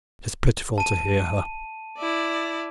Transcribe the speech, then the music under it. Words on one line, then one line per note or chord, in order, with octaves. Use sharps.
It is pitiful to hear her.
A5 D#7
E4 D5